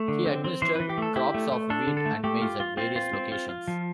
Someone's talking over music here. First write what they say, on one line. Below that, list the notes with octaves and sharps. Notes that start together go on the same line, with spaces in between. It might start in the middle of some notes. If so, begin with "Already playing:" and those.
He administered crops of wheat and maize at various locations.
Already playing: A3
D3
C4
C4
E3 C5
E3 B4
G4
A3 A4
E4 G4
A3
A3
D4 A4
D3
A4
A3
A3 G4
F4
F4
C4 F4
F4
C4
F4
F4
F3